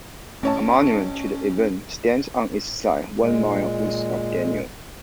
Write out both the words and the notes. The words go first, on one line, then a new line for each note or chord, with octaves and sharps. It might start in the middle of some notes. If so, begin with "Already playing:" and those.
A monument to the event stands on its site one mile east of Daniel.
A1 C#4 C#5 A5
A#2 G#3